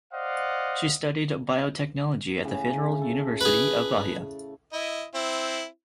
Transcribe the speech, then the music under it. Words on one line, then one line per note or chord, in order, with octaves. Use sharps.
She studied Biotechnology at the Federal University of Bahia.
C5 D5 D#5 F5 F#5
A2 C#3
E5
A4
G#4 B4
E4 D#5
C4 E4